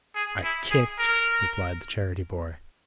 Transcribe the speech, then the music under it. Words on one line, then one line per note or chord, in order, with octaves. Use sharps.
'I kicked,' replied the charity-boy.
G#4
E4
G#4
A#4